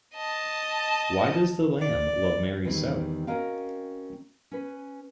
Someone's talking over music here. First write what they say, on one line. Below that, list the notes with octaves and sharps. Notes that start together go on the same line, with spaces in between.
Why does the lamb love Mary so?
D#5 A5
D5
E2 D#3 G3 C4
C4 C#4 F#4 A#4 D#5 F5
C#4 B4